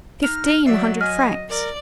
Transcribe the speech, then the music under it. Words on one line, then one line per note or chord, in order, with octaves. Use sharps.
Fifteen hundred francs!
D#4 F6 F7
F#3 D5 E5
D#5 G#5 F6
A#4 D5